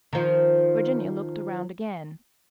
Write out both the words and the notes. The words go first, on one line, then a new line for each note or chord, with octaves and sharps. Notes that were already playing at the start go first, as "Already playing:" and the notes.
Virginia looked around again.
D#3 F3